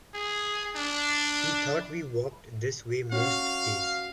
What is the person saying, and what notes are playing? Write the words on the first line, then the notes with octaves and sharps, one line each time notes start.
He thought we walked this way most days.
G#4
D4
C#4 F#4 F5